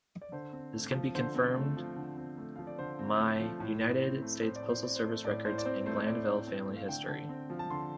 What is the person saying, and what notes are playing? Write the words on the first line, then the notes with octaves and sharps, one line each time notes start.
This can be confirmed my United States Postal Service records and Glanville family history.
D5
D3 C5
C4
A3
F3
D3 C5
C4
A3
F3
D3
C4
A3
F3 F5
D5
D3 C5
C4
A3
F3
A2
A2
C4
A3
A2 C5
D5
A2
C5
C4 D5
C5
A3
A2 D5
A2 C5
D5
C4 C5
A3 C5
A2 D5
A2
C4
A3
F5
D3 G5
D3
C4
F3
A5
D3 C6